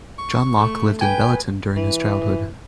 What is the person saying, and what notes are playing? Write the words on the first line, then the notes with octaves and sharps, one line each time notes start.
John Locke lived in Belluton during his childhood.
C#6
A3
B4 G5 G#5
E3